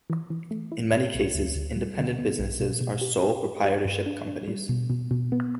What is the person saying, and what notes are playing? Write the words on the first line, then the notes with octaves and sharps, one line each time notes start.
In many cases, independent businesses are sole proprietorship companies.
E3
E3
A3
E4
A2
B1
D2
D2
G3
D3
B3
B1
B2
B2
G4
G4
G4
G4
G2
D4
D4
G3
B2
B2
B2
B3